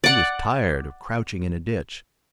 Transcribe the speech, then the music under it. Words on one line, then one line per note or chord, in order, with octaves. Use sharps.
He was tired of crouching in a ditch.
D5 F#5